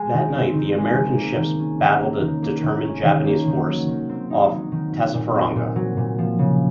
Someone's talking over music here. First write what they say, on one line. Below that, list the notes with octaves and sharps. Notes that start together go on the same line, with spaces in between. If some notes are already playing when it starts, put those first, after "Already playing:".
That night, the American ships battled a determined Japanese force off Tassafaronga.
Already playing: G#3
D#3
C4
D#3
G#3
D#3
A#3
D#3
C#4
D#3
A#3
D#3
A#3
D#3
C#4
D#3
A#3
D#3
F#3
D#3
C4
D#4
F#3
D#3
F#3
A#2
C4
A#2
F#3
A#2
F3
C#3